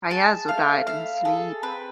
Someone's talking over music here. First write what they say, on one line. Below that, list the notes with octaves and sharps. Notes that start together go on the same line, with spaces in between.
Caiazzo died in his sleep.
G#4 A5
A3 F5
E4 F5
G#4 A4
C4 B4